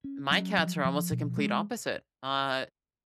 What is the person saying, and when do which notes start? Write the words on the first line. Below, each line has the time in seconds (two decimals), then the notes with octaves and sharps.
my cats are almost the complete opposite, uh,
0.04 C#4
0.31 F#3
0.58 F3
0.85 F3
1.11 B2
1.38 G#3